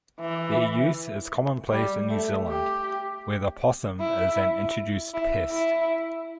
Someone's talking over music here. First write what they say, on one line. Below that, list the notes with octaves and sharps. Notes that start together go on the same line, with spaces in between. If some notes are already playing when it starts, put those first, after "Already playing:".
Their use is commonplace in New Zealand, where the possum is an introduced pest.
E3
G3
A3
G4
E4
E4
E4